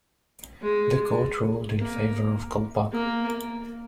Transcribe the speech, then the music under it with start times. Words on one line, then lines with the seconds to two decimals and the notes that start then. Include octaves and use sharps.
The Court ruled in favour of Kolpak.
0.63 G#3
1.78 A#3
2.92 A#3